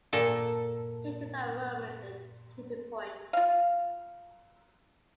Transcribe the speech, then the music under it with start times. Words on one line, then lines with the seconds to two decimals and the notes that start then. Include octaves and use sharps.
He called that moment the "tipping point".
0.13 A#2 A4
3.33 F4 F5